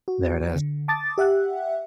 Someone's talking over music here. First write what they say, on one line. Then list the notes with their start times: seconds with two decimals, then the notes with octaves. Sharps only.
There it is.
0.08 F#4
0.55 D3
0.88 A5 D6 D#6 A6
1.18 G4 E5 F#5 F#6